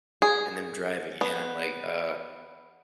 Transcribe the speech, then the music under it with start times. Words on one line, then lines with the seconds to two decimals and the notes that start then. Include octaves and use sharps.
and them driving, and I'm like, "Uh,"
0.22 G#4
1.21 B3